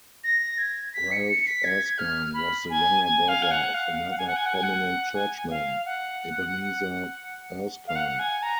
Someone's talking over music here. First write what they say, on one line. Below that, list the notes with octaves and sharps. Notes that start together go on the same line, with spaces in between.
Ralph Erskine was the younger brother of another prominent churchman, Ebenezer Erskine.
A#6
G#6
B6
C#7
C#7
B6
G#6
F6
B5
G#5
G#5
F5
G#5
F#5
F5
F#5
G#5
F#5
G#5
F#5
G#5
F#5
G#5
F5
F#5
F5
F#5
G#5
A#5